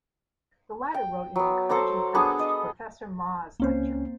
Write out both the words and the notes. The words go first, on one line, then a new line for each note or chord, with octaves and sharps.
The latter wrote an encouraging preface to "Professor Mmaa's Lecture".
G5
F#3 B3
A4 C5 A#5 D6
B3 D4 G#4 A4
D#5
C#2 A#3 C4 C#4 C5